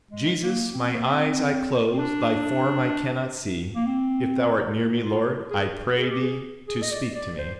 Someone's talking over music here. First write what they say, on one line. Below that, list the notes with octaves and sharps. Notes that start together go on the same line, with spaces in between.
"Jesus, my eyes I close, Thy form I cannot see; If Thou art near me, Lord, I pray Thee to speak to me."
G#3
A#3
C4
A#3
C4
C4
D4
A#3
C4
F4
G#4
G#4
G4
G#4
G#4
D#5
D5
D5
C5